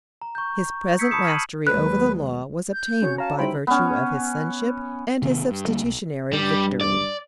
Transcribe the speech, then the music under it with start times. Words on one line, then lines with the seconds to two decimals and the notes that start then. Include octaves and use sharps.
His present mastery over the Law was obtained by virtue of His Sonship and His substitutionary victory.
0.22 A#5
0.35 C#6 G6
0.99 D#6 E6 G6 G#6 B6 C#7
1.11 A5 B5 C#6 D#6 C#7 E7
1.24 F6 G#6 C7 D#7 F#7
1.67 D#2 F#3 G#3 B4 F#6
2.73 G6
3.02 C#4 F#4 C#5
3.18 C#5 F5 A5 A#5
3.38 G3 D#4 E4 C5 G5 B5
3.67 B3 C#4
5.22 C3 D#3 F3 B3
5.51 G2
5.67 D2 G3 A#3
5.84 B1
6.33 G2 G3
6.81 D5